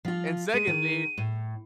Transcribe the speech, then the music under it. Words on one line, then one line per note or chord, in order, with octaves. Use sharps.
And secondly"
F3 F4
G#3 D#7
D#3
A2